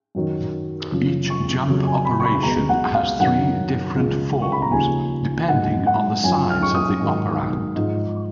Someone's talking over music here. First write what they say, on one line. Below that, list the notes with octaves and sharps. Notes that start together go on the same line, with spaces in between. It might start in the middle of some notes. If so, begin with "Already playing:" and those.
Each jump operation has three different forms, depending on the size of the operand.
F#2 D#3 F#3
F#2 C#3 F3
C#6
F2 C#3 F#3
G#5
B5
C#6
B5
C#2 B2 F#3 A#5
F#5
F5
F#2 D#3 F#3 F#5
C#2 C#3 F3
C#6
B5
A#5
D#2 C#3 F3 G#5
G#2 F#3 F#5
F#5
F#2 F3 G#5
F6
C#6
D#6
G#2 D#3 F#3
G#2 F3